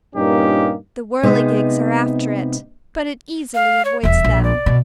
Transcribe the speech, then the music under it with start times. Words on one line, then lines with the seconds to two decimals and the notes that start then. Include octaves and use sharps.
The whirligigs are after it, but it easily avoids them.
0.14 G2 A#2 A#3 C#4 D#4 G4
1.23 C3 G#3 B3 D#4
3.54 F5
3.85 C#5
4.03 D#1 E2 E5
4.24 A#1
4.43 D5
4.66 B2